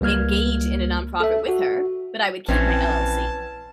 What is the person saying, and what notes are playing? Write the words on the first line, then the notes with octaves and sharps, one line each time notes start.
engage in a nonprofit with her, but I would keep my LLC.
C#2 G3 A#3 F6 G#6
A4 E5
F#4
A#1 E3 C4 C#4 B4 A5 G#6